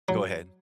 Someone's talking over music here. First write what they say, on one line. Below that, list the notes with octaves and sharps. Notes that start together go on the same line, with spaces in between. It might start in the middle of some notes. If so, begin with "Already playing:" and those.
Go ahead.
F#3